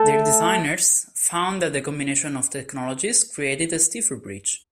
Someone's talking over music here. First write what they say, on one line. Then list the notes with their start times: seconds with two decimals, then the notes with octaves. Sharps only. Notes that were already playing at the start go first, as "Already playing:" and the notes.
Their designers found that the combination of technologies created a stiffer bridge.
Already playing: A3 A4